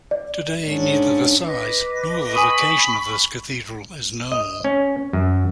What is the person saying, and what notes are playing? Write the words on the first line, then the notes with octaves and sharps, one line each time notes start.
Today, neither the size nor the location of this cathedral is known.
D5
G#2 C#4 D4
B4 D#5 D6
G#5 B5 C#6 D#6 D#7
D#5
C#4
F#2